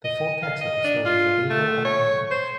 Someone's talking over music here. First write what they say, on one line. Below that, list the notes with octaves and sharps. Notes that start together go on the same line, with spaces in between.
The full text of this story is available on-line.
D#5
F5
D#5
D4
F4
A3
C#5
C5